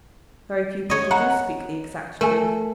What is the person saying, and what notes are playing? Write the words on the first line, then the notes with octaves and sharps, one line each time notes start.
'Very few people do speak the exact truth.
C#5 D#5
D#5 F#5 A#5
A3 A#4 G#5